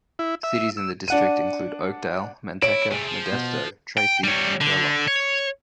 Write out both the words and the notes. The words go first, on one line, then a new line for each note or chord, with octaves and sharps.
Cities in the district include Oakdale, Manteca, Modesto, Tracy, and Turlock.
E4
E5
E6
D4 F#5 D#7
E4 C#5 D7
C3 A3 G#4
F3
B2
G5
G3 C#5
D3
C#5